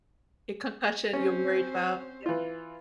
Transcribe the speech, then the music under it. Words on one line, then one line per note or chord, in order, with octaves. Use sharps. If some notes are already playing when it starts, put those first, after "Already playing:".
A concussion you're worried about, yep.
C4 C#4 C5
E3 F4